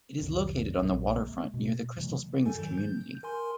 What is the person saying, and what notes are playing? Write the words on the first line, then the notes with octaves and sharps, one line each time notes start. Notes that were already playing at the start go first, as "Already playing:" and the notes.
It is located on the waterfront near the Crystal Springs community.
F1 C2 D#3 F3
A#1 G#2
G#3 A#3
B2
C3 E3 F#3 A3
G#2 A4 G#5
G#2 D#3 F#3
G6
A#4 G#5 C6